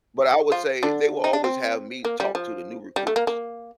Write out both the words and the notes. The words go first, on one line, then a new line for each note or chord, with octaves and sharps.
but I would say they would always have me talk to the new recruits.
F3 F4
D3 D4
D#4
D4
C4
A#3
G3
F3
G3
A3
A#3
A#3